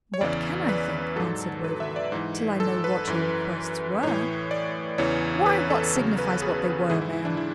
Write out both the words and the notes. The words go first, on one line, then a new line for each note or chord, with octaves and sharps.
'What can I think,' answered Waverley, 'till I know what your requests were?' 'Why, what signifies what they were, man?
C#5
E2 C#3 E3 D5
B4
G#2 F#3 A4
B4
E5
D5
G#2 E3
A4
B4
F#2 E3
A2 E3 C#5
D5
E2 C#3 E3 C#5
B4
A4
E2 C#3 F#3
B4
A4
G#4
G#2 E3 G#4
E4
E4
D4
E4